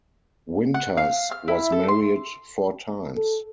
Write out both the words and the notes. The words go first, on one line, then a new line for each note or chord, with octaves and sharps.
Winters was married four times.
F#5
F5
F6
E4
A4
C6
A4